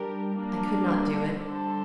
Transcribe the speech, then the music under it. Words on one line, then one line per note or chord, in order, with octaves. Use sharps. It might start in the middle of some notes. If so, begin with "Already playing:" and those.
I could not do it.
Already playing: G3 D4 G4 A#4
G3 A#3 D4
D3 G3 D4 A4 C5